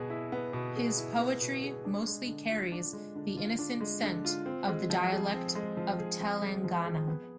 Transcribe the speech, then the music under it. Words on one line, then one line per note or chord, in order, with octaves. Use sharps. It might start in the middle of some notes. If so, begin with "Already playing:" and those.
His poetry mostly carries the innocent scent of the dialect of Telangana.
Already playing: B2 B3 G#4
E4
B3
B2
G#4
E4
B3
B2
G#4
D4
G#3
D3
F4
D4
G#3
D3
F4
D4
G#3
D3
F4
C4
G#3
F3
G#4
C4
G#3
F3
G#4
C4
G#3
F3
G#4
B3